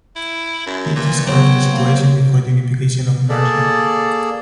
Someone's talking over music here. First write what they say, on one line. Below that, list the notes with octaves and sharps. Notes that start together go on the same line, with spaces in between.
This describes the situation before the unification of Mercia.
E4
F#2
A#2 E3
F#3 B3 C4 C#5
A#3
A#3 G#4 A4 D5